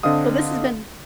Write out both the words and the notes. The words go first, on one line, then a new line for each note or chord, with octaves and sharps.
Well, this has been
D3 C4 D4 D#5 F5 D#6